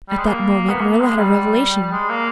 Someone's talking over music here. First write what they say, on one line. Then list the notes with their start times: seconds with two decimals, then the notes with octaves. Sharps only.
At that moment Marilla had a revelation.
0.09 G3
0.18 G#3
0.27 A#3
0.70 B3
0.81 A#3
1.00 G#3
1.18 G3
1.92 G#3
2.09 A#3